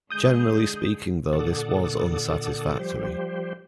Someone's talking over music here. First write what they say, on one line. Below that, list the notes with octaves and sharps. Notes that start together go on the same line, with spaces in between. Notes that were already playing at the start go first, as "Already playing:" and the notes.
Generally speaking though, this was unsatisfactory.
D3 G#3 G#4 D#6 G6
A#2 D3 A4 F#5 D6 D#6
F3 G3 G4 C5